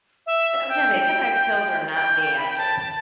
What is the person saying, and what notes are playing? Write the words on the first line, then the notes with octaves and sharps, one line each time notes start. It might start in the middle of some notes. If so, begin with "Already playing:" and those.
I was gonna say, sometimes pills are not the answer.
E5
G5
G5
B5
G5
A5
A5